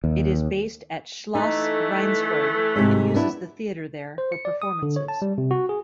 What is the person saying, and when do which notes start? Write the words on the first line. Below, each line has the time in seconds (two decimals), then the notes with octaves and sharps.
It is based at Schloss Rheinsberg and uses the theatre there for performances.
0.04 D#2
1.35 E3 A3 D#4
2.76 G#2 C3
3.14 B3 D4 E4
4.18 C5
4.32 C#7
4.45 D5
4.62 D#6
4.83 D3
4.96 C#5
5.08 A5
5.22 G3
5.38 C3
5.51 F#4
5.69 G#4